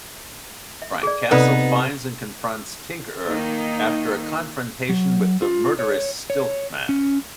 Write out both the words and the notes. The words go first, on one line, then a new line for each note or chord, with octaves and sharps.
Frank Castle finds and confronts Tinkerer after a confrontation with the murderous Stilt-Man.
E5
G#4 D5
C3 B3 C4 D#4 A4 B4 D5
D#3 A#3 D#4
F#3
F4
C#5
C#5
C#4